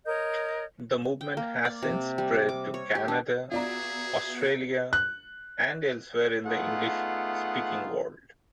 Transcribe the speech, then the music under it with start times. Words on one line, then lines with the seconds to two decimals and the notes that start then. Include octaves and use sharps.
The movement has since spread to Canada, Australia, and elsewhere in the English-speaking world.
0.06 A#4 C#5 D#5 G6
1.21 G5
1.37 A#3
1.65 D5
1.83 C3
2.18 G3
2.49 D6
2.74 C#5
2.95 G4
3.08 D4
3.51 B3 F4 F#4 G#4 D5 E5 A#5
4.93 F#6
6.45 A3 B3 D#4 F4 G#4 F#5